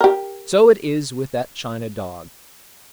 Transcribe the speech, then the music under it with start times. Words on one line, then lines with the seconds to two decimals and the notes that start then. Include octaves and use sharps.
So it is with that china dog.
0.01 G4 A#4